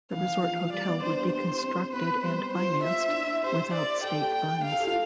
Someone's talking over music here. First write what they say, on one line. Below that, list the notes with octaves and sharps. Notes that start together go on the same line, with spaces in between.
The resort hotel would be constructed and financed without state funds.
E3 F5
F3
G3 D5
B3
D4 C5
G4
G4 C5
E4
C4
B3 B4
G3 C5
F4 C5
F4 E5
D4
E4
G4 C5
D5
A4 G5
G4
G5
F5
A4
G4
F4